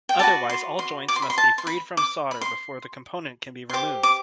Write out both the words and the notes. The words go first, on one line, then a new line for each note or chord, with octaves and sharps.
Otherwise all joints must be freed from solder before the component can be removed.
G5
F#4 B4 D5 A5
C6
C6
D6
C6
B5
C6
A5
C6
B5
D6
B5
C6
C6
G4 C5 D6
D6